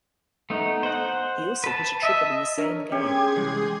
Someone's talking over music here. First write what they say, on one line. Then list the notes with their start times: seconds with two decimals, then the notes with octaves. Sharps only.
He also hit a triple in the same game.
0.50 A3 B3 D#4
0.83 C5 F#5
1.64 B4 A5
2.03 D#5 E5
2.58 D4 A#4 C#5
2.92 C#4 G4 G#4 G#5 C6 G#6
3.36 C2 E3 G#3